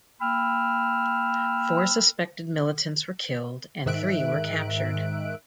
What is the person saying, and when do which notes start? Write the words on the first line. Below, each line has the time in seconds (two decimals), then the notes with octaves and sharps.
Four suspected militants were killed and three were captured.
0.21 A#3 G5 B5 E6 F6
3.86 G#2 D#3 E5 F#6 D7